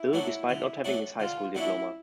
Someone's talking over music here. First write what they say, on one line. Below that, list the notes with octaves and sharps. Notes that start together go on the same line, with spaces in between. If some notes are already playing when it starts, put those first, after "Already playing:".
Bill, despite not having his high school diploma.
Already playing: E4
F#3 A3 D4 F#4
D3
F#3 A3 D4 F#4
D3 F4
F#3 A3 D4 E4 F#4